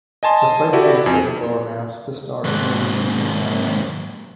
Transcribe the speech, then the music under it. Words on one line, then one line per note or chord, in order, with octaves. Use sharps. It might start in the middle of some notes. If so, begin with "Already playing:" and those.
Despite having a slightly lower mass, this star is more luminous than the Sun.
D#5 G#5 A5 C6
E4 F#4 G4 A4 D5
F2 G#5
D#2 G#2